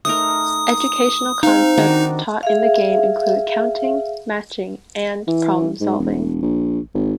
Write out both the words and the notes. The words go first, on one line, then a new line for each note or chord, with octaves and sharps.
Educational concepts taught in the game include counting, matching, and problem solving.
A3 D#4 A#4 D#6
C4 D#4 F5
D#3 D4 F#4
G#4 E5 F5
E3
G#2
E1
A#1
G#1